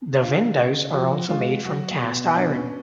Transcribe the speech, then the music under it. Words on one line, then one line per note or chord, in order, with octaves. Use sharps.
The windows are also made from cast iron.
D3 F4
C#3
F3 F#4
G#3 F4
F#3 F#4
B2
D4
B3
C#4